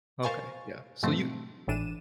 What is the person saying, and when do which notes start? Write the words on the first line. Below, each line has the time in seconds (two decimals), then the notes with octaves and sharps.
Okay. Yeah. So, you
0.23 A#4 C5 F5 G#5 C#6 A6
1.03 G#2 B2 F3 A3 C4
1.68 G#1 A2 E3 D4 D#7 E7